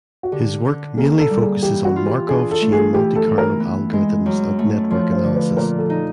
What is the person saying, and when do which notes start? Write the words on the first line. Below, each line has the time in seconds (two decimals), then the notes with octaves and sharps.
His work mainly focuses on Markov chain Monte Carlo algorithms and network analysis.
0.23 F#4
0.32 D3 G4
0.65 D3
0.97 A#3 G#4
1.19 A4
1.30 G3
1.41 G#4
1.63 E3 G4
1.85 F#4
1.96 F4
2.06 G4
2.28 D4 G#4
2.51 A4
2.62 A3
2.72 G#4
2.94 E3 G4
3.16 A4
3.27 E3
3.38 A#4
3.60 B3
3.93 G#3
4.26 F#2
4.59 A3
4.91 F3 C#5
5.13 C5
5.24 D3
5.35 B4
5.57 A#2 A#4
5.78 A4
5.90 D#4